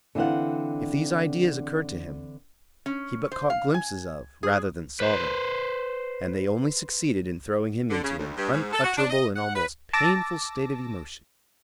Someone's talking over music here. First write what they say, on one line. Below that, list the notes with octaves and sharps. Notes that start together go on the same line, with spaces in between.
If these ideas occurred to him, he but caught glimpses of, rather than saw them, and they only succeeded in throwing him into an unutterable and almost painful state of emotion.
D3 E3 C4 F5 F#5
C#4
C5
F5
G#5
G#4
B4 C5
D3
C#3
D2
G2
G#2
A4
F#4
D4
D#5
F#5
B4
A5 D6 E6 A6 A#6